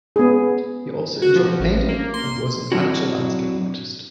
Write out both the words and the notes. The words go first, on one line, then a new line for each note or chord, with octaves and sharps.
He also enjoyed painting and was an amateur landscape artist.
B3 G#4
F#4
F3
A1
A#3
C6
F#3 C4 D4 E4 F#4